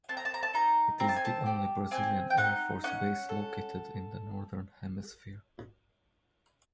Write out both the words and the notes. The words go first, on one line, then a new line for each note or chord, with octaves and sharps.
It is the only Brazilian Air Force Base located in the Northern Hemisphere.
C4 A5
A#5
A5
A#5
A5
D#4 A#5
C4 A#5
A5
G#5
A5
G4
C4 G#5
G5
D#4 F#5
C#4 F#5
A4